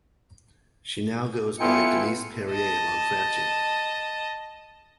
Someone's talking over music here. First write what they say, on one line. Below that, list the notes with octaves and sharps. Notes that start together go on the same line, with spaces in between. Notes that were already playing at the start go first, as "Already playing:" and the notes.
She now goes by Denise Perrier Lanfranchi.
B3 E4 F4 A4 G5 G#5 C#7
D#5 A5